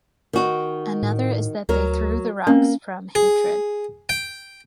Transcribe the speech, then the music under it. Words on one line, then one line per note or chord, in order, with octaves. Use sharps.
Another is that they threw the rocks from hatred.
D#3 F#4
A2
D2 F#3 A#4
A#3 C4 C#4
G#4
G5